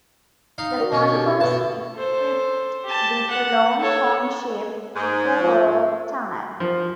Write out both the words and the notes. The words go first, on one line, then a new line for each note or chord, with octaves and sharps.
The pond was equipped with a long cone-shaped wickerwork tunnel.
D#4 F5
F#4 A#4 D5
B2 C#4 D#5
D4 G4 A4
B2 F#4 B4 A5
A4 C5
G4 A5
F#5
A4 C#5
G#2
F3
F3